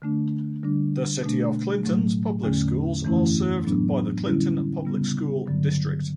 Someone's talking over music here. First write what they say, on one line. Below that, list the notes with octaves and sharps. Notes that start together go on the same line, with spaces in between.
The City of Clinton's public schools are served by the Clinton Public School District.
D3 A3 D4
D3 G3 D4
B2 A3 D4
A2 F#3 A3
E2 D3 A3 C#4
F#2 E3 A3 C#4 E4
A2 F#3 B3 D4
D3 G3 C#4 E4
C#3 G3 B3
G2 D3 F#3